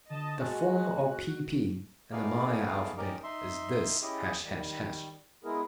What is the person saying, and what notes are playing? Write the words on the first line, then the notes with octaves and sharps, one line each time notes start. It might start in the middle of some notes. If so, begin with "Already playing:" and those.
The form of pp in the Maya alphabet is this, ### .
D3 D#5 A5
G#3 F#4 F#6
A3 B3 D#4 G#4 D5 F5
C#4 D#4 G4 A#4 D5
D#4 E5 C6
C#4 E4 G4 G#4 D#5
D#3 G3
G#3 B3 E4 G#4 A#4